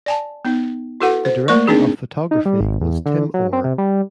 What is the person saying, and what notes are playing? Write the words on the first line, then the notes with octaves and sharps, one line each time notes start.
The director of photography was Tim Orr.
D5 G#5 A5
B3 D#4
E4 F#4 A4 B4 F#5
C5
A3 A#3 A#4 D5 C#6
C4 D4 D#4 G#4
D#4
G3
G#1
E2
D3
F#3
C4
C3
G3